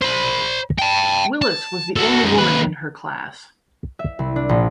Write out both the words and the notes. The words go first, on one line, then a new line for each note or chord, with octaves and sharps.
Willis was the only woman in her class.
C5 B5
G5 A5
A5
F#4 A4
F#2 D#4
D#2 B4
E5
C2
D4
A#1